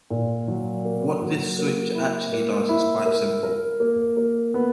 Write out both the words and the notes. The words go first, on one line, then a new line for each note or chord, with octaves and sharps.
What this switch actually does is quite simple.
A#2
F#3
A#3
F#3
A#3
E4
A#3
E4
A#4
A#4
A#3
A#3
B3